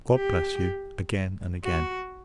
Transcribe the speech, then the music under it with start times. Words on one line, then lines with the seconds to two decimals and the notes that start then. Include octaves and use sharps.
God bless you, again and again!
0.16 G4
1.64 F#4